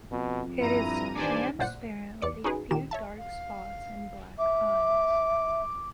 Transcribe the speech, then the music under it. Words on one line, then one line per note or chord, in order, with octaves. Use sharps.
It is transparent with a few dark spots and black eyes.
F2 B2
G2 E4 A#5 D#7
G2 D#3 D4 C5 D5 G#5
G1 A#2 C5 D5 F#5
E2 D5 C#7
C#4 D#4 F#4 G#4 B4
A#2 D#3 D#4 G4 E7
C#5 E5 A5
F5
E5 D6